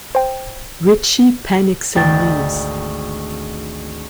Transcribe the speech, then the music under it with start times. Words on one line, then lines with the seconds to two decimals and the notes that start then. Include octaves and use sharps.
Ritchie panics and leaves.
0.15 C5 G5
1.95 G#1 D2 G5 A6